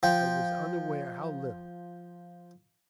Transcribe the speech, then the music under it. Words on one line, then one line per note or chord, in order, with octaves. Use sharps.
I was unaware how little.
F3 G5